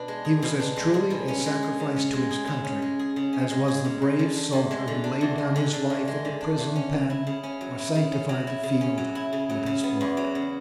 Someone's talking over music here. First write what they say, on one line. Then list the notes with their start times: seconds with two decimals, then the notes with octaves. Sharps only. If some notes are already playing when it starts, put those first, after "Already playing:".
He was as truly a sacrifice to his country as was the brave soldier who laid down his life in the prison-pen or sanctified the field with his blood.
Already playing: B2 D4
0.08 G#3
0.25 G#4
0.42 B2
0.60 D4
0.76 G#3
0.94 G#4
1.10 B2
1.28 C#4
1.45 G#3
1.63 G#4
1.80 C#3
1.96 C#4
2.13 G#3
2.31 G#4
2.47 C#3
2.64 C#4
2.82 G#3
2.99 G#4
3.16 C#3
3.33 C#4
3.50 G#3
3.68 G#4
3.85 C#3
4.02 G#3
4.19 D3
4.35 D4
4.53 E2
4.71 G#3
4.88 D3
5.04 D4
5.21 E2
5.38 G#3
5.56 D3
5.73 D4
5.90 E2
6.08 G#3
6.25 D3
6.41 D4
6.58 E2
6.75 C#4
6.92 F#3
7.10 E4
7.27 C#3
7.43 C#4
7.61 F#3
7.79 E4
7.95 C#3
8.12 C#4
8.29 F#3
8.47 E4
8.63 C#3
8.81 C#4
8.98 F#3
9.15 E4
9.33 C#3
9.49 F#3
9.66 C#3
9.83 B3
10.01 E2
10.17 F#3
10.35 C#3